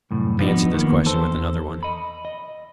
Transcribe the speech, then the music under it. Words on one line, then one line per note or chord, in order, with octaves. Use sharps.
I answered this question with another one.
C2 F#2 A2
F3 B3 D4 D#4 B4
D#3 A#3 B3
E2 A4 C5
D#5 B5
D#5